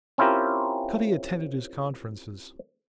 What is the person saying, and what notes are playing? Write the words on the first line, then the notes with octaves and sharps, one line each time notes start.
Cutty attended his conferences.
C4 C#4 E4 F4 G4 A#4